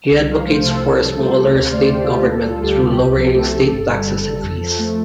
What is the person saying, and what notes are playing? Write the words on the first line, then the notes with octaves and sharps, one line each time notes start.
He advocates for a smaller state government through lowering state taxes and fees.
C2
F3 F5
A3 C5
A4
C3
A4
C2 A4
F3
A3 C5
C3
D2 D5
F5
C5
A3 D5
C5
D2 G4
C3 F4
G4
D2 A4
G3
F4
A4
D2 G4
C3
C2
F3
A3 A4
C3
G1
G3
G1
G2
F2
F3
A3